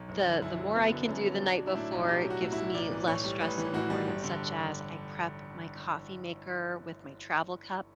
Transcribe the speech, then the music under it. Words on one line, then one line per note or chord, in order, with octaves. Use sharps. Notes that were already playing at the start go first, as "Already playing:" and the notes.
the the more I can do the night before, it gives me less stress in the morning, such as, I prep my coffee maker with my travel cup,
Already playing: B1
F#1
D3
F#2 E4
F#3
F#1 B3
D3
F#2 C#4
F#3
B1 D4
F#3
E4
A2 D4
B1
B1 G4
F#3
F#4
A2
E4
B1
A1 D5
E3
A2 C#5
G3
A1 B4
E3
A2 F#4
G3
G1
D3